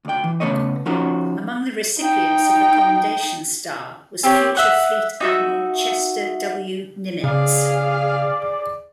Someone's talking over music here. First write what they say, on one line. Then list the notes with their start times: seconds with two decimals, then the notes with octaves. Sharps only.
Among the recipients of the Commendation Star was future Fleet Admiral Chester W. Nimitz.
0.05 D2 G5
0.24 E3
0.40 C#3 G#3 A3 B3 C#5 D#5
0.86 F3 C#4 D#4 F#4 A#4 C5
1.99 D#4 G5
4.23 C4 G4 C#5
4.55 E5 F#5 C#6
5.21 D#4 F#4 E5
7.24 C#3 G#4 D5 F5